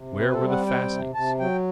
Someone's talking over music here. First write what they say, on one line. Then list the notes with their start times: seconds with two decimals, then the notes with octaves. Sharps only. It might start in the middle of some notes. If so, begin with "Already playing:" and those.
Where were the fastenings!
Already playing: C3
0.18 C4 B4
0.28 B4
0.33 A4
0.42 G3
0.50 F#5
0.67 C4 G5
0.90 C3
1.14 C3 A5
1.40 F#3 G5